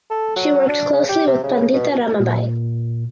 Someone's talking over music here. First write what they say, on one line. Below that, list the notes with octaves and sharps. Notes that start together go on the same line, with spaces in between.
She worked closely with Pandita Ramabai.
A4
F#3
D4
C#3
G4
C3
C#3
B2
A#2